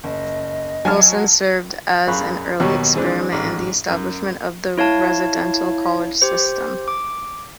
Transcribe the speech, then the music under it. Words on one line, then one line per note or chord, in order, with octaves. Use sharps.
Wilson served as an early experiment in the establishment of the residential college system.
F#1 D#5
F#3 G#5 A5 F6
F#2 G#4 F5 B5 C#6 F#6
D#2 B2 F#3 F#4 C#5 C#6
E3 G#3 C4 D4
A1 G#2
F#2
E4 C#5 F5 A5
G4 C5
D6